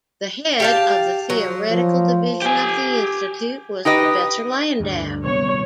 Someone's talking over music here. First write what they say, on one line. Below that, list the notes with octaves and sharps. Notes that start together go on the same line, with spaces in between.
The head of the theoretical division of the Institute was Professor Landau.
G4 F5 A5
F#3
F3
G4 G#5
D#4 G4 B4 D#5
D2 G2
D#1 C2 B3 C#5